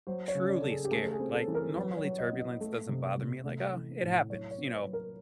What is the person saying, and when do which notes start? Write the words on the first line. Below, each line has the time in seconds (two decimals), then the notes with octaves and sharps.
truly scared. Like, normally turbulence doesn't bother me, like, "Oh, it happens," you know,
0.07 F#3 C5
0.28 C#5
0.35 C#3
0.49 D5
0.62 C#3 A4
0.70 G#4
0.84 G4
0.91 A3 G#4
1.13 G#4
1.20 C4
1.34 A4
1.48 E3
1.55 A#4
1.76 F#3 B4
1.97 C#5
2.04 F#3
2.19 D#5
2.33 B3
2.39 D#5
2.61 A3
2.89 C3
3.17 C3
3.45 A3
3.73 E3
4.02 A2
4.30 F#3 C#5
4.51 C#5
4.58 B3
4.72 B4
4.86 F#3
4.93 A#4